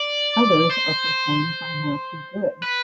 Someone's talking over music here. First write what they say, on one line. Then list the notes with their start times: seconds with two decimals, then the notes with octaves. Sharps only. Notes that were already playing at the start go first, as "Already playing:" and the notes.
Others are performed by Matthew Good.
Already playing: D5
0.70 C5
2.62 B4